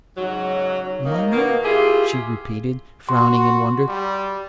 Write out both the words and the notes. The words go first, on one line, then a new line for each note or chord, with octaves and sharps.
"Munner?" she repeated, frowning in wonder.
G#2 C#3 F#3
D#3 A#3 D#4
B2 A#3
E4 F4 G4 G#4
F#4 C6
G3